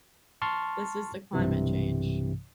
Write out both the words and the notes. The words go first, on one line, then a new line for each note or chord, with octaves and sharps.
This is the climate change.
A5 C6 C#6 F6
B1 G2 C3 E3